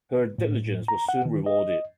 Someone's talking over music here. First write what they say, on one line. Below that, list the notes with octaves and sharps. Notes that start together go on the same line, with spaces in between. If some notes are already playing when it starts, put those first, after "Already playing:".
Her diligence was soon rewarded.
A2
A#5
F#5
D#3
D#5